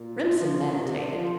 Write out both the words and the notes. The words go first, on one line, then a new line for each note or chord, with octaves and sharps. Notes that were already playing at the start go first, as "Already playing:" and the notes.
Remsen meditated.
Already playing: A#2
F3
D#3
C3
D3
F3